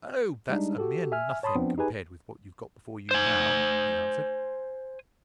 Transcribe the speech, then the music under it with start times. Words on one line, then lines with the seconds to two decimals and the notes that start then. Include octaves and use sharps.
"Oh! that's a mere nothing, compared with what you've got before you now," he answered.
0.49 G3 G#3 D4 D#4
0.78 F#4 G4 A4
1.12 E5 G#5 F6
1.43 C#5 A5 B5 C6 D#6
1.55 F3 B3 C4 D4
1.78 D#4 G4 G#4 B4 G#5
3.11 C5 G#5